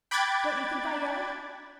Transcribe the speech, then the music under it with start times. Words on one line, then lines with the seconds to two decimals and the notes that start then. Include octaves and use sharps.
Don't you think I am?
0.11 G5 B5 D6 F#6 G#6 A6